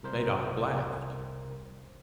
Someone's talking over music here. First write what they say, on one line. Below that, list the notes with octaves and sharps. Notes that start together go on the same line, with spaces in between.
Zadok laughed.
C2 A#4 C5